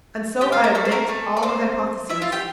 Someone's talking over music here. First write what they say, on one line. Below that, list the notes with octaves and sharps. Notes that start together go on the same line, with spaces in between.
And so I omit all the hypotheses.
G4 G5
F4 F5
A#3 A#4
A3 A4
C5
A#3 A#4
A3 A4
D5
C4 C5
E4 E5
F4 F5
G4 G5